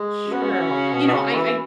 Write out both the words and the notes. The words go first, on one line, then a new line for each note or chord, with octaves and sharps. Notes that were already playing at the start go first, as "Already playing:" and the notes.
Sure, you know, I
Already playing: G#3
B3 C#4 F#4
G#3
F#3
E3
C#3
B2
B2
C#3
E3